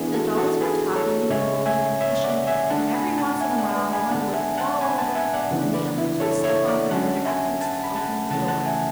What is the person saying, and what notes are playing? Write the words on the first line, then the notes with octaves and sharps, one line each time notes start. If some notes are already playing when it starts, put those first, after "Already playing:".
The dollies were talking and pulling and pushing and every once in a while one would fall over and the others would step on her in their efforts to open the door.
Already playing: E3 B3 D4 E4 G#4
F#4 A4
F#4 A4
G#4 B4
A4 C#5
C#3 G#3 C#4 C#5 E5
E5 G#5
C#5 E5
D5 F#5
E5 G#5
D3 A3 D4 F#5 A5
G#5 B5
F#5 A5
E5 G#5
D5 F#5
B4 D5
G#5 B5
D3 G#3 B3 D4 F#5 A5
E5 G#5
F#5 A5
G#5 B5
F#5 A5
E5 G#5
D5 F#5
C#3 E3 B3 D4
B4 D5
E4
A4 C#5
C#5 E5
D5 F#5
D3 F#3 C#4 F#5 A5
E5 G#5
F#5 A5
B5
F#5 A5
C#3 E3 A3 C#4 F#5 A5
F#5 A5
E5 G#5